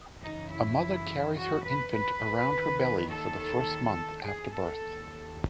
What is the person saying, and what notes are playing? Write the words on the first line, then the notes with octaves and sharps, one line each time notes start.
A mother carries her infant around her belly for the first month after birth.
F#2 C#3 E3 D#4
E4
F#4
B4
B4
D#2 D#3
A4
G#4
A4
D#2 D#3